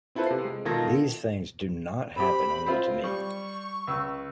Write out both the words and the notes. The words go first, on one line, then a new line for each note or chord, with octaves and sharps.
These things do not happen only to me.
C4 E4 F4 A4 B4 C5
C3 C7
G#3
B2 D#3 F4 A4 G#6 A#6
C4 G4 B5
C4 F4
G3 C#6
C#2 E6